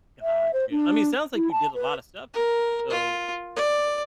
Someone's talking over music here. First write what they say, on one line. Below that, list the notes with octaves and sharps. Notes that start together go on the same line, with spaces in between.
Gotcha. I mean, it sounds like you did a lotta stuff today. So,
E5
C5
D4
E4
A5
B4
A#4
F4
D5